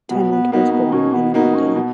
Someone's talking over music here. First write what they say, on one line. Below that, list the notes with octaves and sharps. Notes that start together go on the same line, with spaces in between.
Tennant was born in London.
B2 B3
B3
A#3 B3 D#4 F#4
B3
B2 C#4
B3
A#3 B3 D#4 F#4
C#4
B2 B3